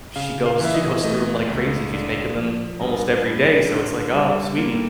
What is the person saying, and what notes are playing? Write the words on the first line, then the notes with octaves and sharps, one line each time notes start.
she goes she goes through 'em like crazy, she's making them almost every day, so it's like, "Oh, sweetie,
C#3 F5
F5
E3 E5
D#5
A3 D#5
C#2
D3 D5
F3
G2 D#5
G2
D3
G3
A#3